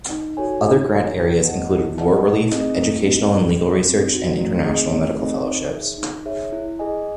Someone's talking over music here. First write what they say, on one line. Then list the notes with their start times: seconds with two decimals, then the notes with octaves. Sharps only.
Other grant areas included war relief, educational and legal research, and international medical fellowships.
0.10 D#4
0.37 F#4 A4 C#5 G#5
0.64 D#4
0.90 F#4 A4 C#5 G#5
1.18 E4
1.44 G#4 D#5 F#5 A5
1.70 E4
1.98 G#4 D#5 F#5 A5
2.24 A3
2.51 C4 D#4 G#4 D#5
2.78 A3
3.04 C4 D#4 G#4 D#5
3.31 C4
3.58 D#4 F#4
3.85 C4
4.11 D#4 F#4
4.39 A3
4.64 C4 D#4 G#4 D#5
4.92 A3
5.18 C4 D#4 G#4 D#5
5.45 D#4
5.72 G#4 C#5 E5
5.98 D#4
6.26 G#4 C#5 E5
6.52 E4
6.79 G#4 D#5 G#5